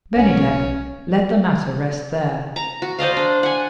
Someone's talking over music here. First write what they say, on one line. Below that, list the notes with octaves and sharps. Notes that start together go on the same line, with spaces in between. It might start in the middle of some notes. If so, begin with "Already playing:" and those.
Bennydeck let the matter rest there.
B1 C#4
A#5
F#4
C5 D5 D#5 F5
D4
F#5 G#5